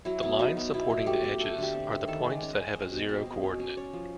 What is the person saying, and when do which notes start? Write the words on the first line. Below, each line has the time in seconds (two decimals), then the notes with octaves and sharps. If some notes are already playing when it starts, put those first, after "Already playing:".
The lines supporting the edges are the points that have a zero coordinate.
0.05 F#3 E4
0.23 B3
0.39 F#3 D#4
0.57 B3
0.74 B2 E4
0.90 F#3
1.06 A3 G4
1.24 A3
1.40 A3 A4
1.58 D3 G4
1.74 C4
1.92 A3
2.08 D#3 A4
2.25 G#3
2.30 D5
2.42 C#4
2.53 D#5
2.58 C#4
2.76 C4 D#5
2.92 B2
3.09 C4 D#5
3.26 B2
3.43 C#4
3.59 C#4
3.69 D5
3.77 C#4 C#5
3.93 F3